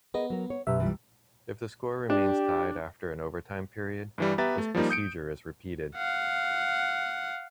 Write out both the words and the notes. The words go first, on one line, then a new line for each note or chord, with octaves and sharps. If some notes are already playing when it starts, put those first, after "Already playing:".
If the score remains tied after an overtime period, this procedure is repeated.
B3 G#4 A#4 D#5
F#3 A#4
C#5
B1 F#2 B3 G4 E5
E3 G3 F4
D4 G4
G2 E3 G3
B3 G4 B4 E5 A#5 A6
A3
F3 G3 A#3 D#4
D#6 G6 C#7 D7
F5 F#5